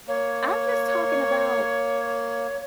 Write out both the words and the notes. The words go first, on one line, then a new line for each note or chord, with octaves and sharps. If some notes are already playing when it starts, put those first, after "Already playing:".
I'm just talking about
A#3 C#5